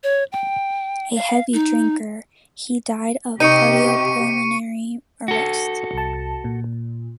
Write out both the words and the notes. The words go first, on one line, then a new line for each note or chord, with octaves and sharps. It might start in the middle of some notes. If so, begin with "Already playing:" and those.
A heavy drinker, he died of cardiopulmonary arrest.
C#5
G5
F5
D#4
C3 D#4 G4 C#6 C#7 D#7
F#4 A4
C2 A5
A#2